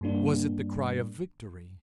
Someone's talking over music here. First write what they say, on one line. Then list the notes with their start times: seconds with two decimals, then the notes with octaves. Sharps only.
Was it the cry of victory?
0.01 G2 G3 A#3 D4